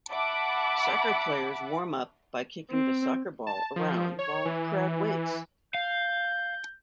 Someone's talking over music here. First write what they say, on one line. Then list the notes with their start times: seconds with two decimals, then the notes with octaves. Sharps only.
Soccer players warm up by kicking the soccer ball around while the crowd waits.
0.11 E5 F#5 A5 B5 D6
2.70 C4
3.47 A5
3.76 F3
4.19 C#5
4.45 E3
5.75 F5 G6